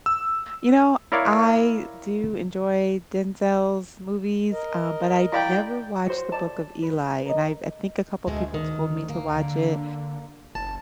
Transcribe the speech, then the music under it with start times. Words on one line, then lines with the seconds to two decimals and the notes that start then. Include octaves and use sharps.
you know, I do enjoy Denzel's movies, um, but I've never watched The Book of Eli, and I I think a couple of people told me to watch it.
0.06 E6
1.12 E4 A#4 C#5 D5 F5
4.52 A#4 D#5
5.32 E4 D5 F5 G5 B5
6.06 F#4 C5
6.32 A4 D5 A5
6.82 B4
7.26 A#4 D#5
8.27 D2 B2 G#3 A3
8.54 D#3
9.09 A#3
9.36 D3
10.55 F#1 A5